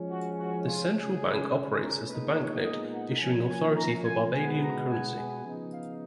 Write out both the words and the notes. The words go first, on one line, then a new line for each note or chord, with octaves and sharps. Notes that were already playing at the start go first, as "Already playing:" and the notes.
The Central Bank operates as the banknote issuing authority for Barbadian currency.
Already playing: F3 G#3 C#4
F#4
F#4
F4
C#3 G#3 C#4 G#4
A#4
A#2 G#3 B3 D#4 B4
C#5
D#5
F#5
F3 A#3 C#4 G#5
G#5
A#5
G#5
B2 G#3 B3 G#5
A#5
G#5
G#5
C#3 F3 B3 D#4
F5